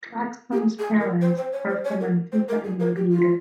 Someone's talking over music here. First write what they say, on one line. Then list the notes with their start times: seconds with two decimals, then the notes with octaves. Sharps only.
Claxton's parents are from Antigua and Barbuda.
0.52 G4
0.58 G#4
0.79 G#4
1.00 A#4
1.21 C5
1.37 C5
1.53 C#5
1.69 C5
1.85 C#5
2.00 A#4
2.32 C5
2.48 A#4
2.64 G#4
2.80 A#4
2.96 G4
3.12 F4